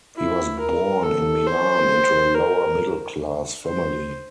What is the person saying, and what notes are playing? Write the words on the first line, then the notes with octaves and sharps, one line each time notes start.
He was born in Milan into a lower-middle-class family.
E4
A#4
A4
C5
A#4
C5